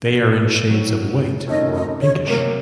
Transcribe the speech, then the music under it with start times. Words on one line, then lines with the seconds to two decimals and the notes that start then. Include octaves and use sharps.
They are in shades of white or pinkish.
0.69 A2 F#3 C4
1.48 F2 C3 D#3 A3 C#4 D#5
1.74 D#5
2.01 C#5
2.27 C3 F#3 A#3 A#4